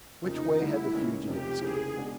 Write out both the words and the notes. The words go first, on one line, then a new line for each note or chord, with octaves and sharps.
Which way had the fugitive escaped?
F1 F2 C#3 F3 A#3 D#4
D2 D3 G3 E4
D#2 C#3 E3 G#3 C#4
F1 F2 C3 G4
F1 D#2 C#3 E3 G#4
B2 G#3 B3 D4